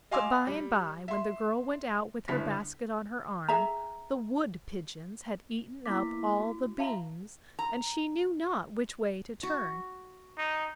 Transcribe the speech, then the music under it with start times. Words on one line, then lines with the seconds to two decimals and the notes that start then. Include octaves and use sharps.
But by and by, when the girl went out with her basket on her arm, the wood pigeons had eaten up all the beans, and she knew not which way to turn.
0.11 D#5 F5 G#5 C6 D6 E6
0.47 G3
1.08 E5 C6
2.28 G1 E4 B5 B6
3.48 G#4 E5 A#5
5.86 A#3 B3 E4 D6 B6
6.39 F#4
6.79 F#4 E5 F5 A5 A#5
7.59 A#5
9.43 F#4
10.37 D#4